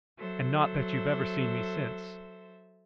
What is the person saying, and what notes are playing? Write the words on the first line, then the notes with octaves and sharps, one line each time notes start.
"And not that you've ever seen me since?"
F#3 A4 C5 E5